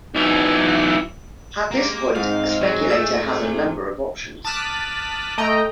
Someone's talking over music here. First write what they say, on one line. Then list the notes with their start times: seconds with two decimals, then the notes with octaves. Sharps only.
At this point, a speculator has a number of options.
0.15 B1 E3
1.71 G#3 A#3 G4
2.16 G#2 G#3 C4 D#4 F5
2.61 F#3 G#4
2.90 A3 E6
3.24 C3 G#4
4.45 A5 D6 D#6 F6 F#6 B6
5.38 A3 D#5 G5 A#5